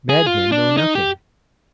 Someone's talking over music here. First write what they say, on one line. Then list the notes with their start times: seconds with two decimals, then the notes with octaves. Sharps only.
Madmen know nothing.
0.09 G#4
0.26 F4
0.52 D4
0.77 D#4
0.95 G4